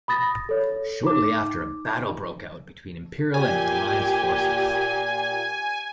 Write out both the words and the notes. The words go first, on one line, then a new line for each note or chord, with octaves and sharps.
Shortly after, a battle broke out between Imperial and Alliance forces.
B5 D#6 A6 A#6
A4 C#5
D#4 D6
A#2 G4 G#5